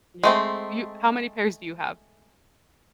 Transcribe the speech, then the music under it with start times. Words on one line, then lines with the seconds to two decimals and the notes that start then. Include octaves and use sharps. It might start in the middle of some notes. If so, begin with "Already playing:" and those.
Yeah. You how many pairs do you have?
0.24 G#3 A3 C4